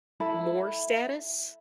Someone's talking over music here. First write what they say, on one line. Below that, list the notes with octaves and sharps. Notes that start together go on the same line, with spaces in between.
more status.
E4 A4 B5